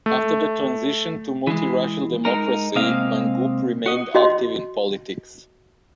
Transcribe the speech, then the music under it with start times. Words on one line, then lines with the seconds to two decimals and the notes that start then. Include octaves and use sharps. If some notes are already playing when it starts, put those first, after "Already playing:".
After the transition to multiracial democracy, Mangope remained active in politics.
0.06 A3
1.47 E3 G#3
2.25 G#3 D#4 A#4
2.75 C3 G#3 A#3 C4 D#5 F5
3.86 F#4 D#5
4.15 F#4 D#5 C6